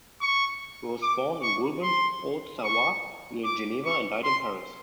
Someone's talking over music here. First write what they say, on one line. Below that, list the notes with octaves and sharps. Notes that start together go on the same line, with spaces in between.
He was born in Vulbens, Haute-Savoie, near Geneva, and died in Paris.
C#6
D6
C#6
C6
C#6
D6
C#6
C6